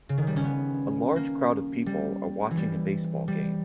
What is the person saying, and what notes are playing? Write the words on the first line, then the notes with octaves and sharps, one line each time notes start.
A large crowd of people are watching a baseball game.
C#3
D#3
G3
C#4
B3
A#3
G3
E3
G3
G3